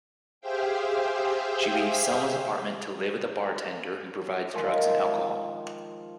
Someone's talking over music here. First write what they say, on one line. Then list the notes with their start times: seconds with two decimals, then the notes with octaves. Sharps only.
She leaves Selma's apartment to live with a bartender who provides drugs and alcohol.
0.41 G4 G#4 C5 E5 F5 G5
4.54 D#3 F3 G#3